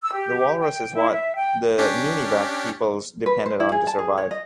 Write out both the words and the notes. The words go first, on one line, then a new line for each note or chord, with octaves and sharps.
The walrus is what the Nunivak peoples depended on to survive.
E6
G4
G5
E4
E5
G5
C#4 D4 G4
B4
C5
E4
G#4
A5
G#4
C#5
D#5